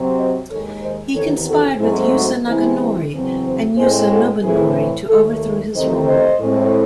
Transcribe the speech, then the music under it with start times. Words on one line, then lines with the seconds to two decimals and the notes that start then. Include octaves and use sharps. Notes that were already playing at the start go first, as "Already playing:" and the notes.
He conspired with Yusa Naganori and Yusa Nobunori to overthrow his lord.
Already playing: C3 F#3 C4
0.16 C5 D#5
0.49 D#2 D#3 G#3 A4 C#5
0.81 C5 D#5
1.14 E2 C3 D#3 A4 C#5
1.47 F#4 A4
1.80 G#2 F#3 A3 C4 E4 G#4
2.13 D#4 F#4
2.46 C3 E3 G#3 C4 E4 G#4
3.12 E2 C#3 F#3 C4
3.44 G#4 C5
3.76 A2 G#3 C4 G#4 C5
4.09 F#4 A4
4.42 A2 E3 A3 C4 E4 G#4
5.08 D#2 D#3 A3 F#4 A4
5.74 E2 C3 D#3 A3 C4 C5 D#5
6.06 C5 D#5
6.39 A2 G#3 C4